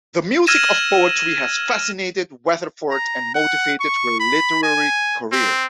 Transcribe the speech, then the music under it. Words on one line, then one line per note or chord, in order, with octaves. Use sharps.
The music of poetry has fascinated Weatherford and motivated her literary career.
E6 F6 G#6 A#6 D#7 E7
A#5
F#5
C#6
B5
G#5
C4